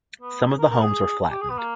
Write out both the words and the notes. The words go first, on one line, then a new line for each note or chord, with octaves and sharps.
Some of the homes were flattened.
B3
A#4
A#4
G#4
G4
G#4
B3
A#3